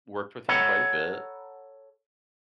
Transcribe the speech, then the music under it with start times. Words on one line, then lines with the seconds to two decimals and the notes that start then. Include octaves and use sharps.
worked with him quite a bit,
0.49 A4 C#5 F#5 A#5 B5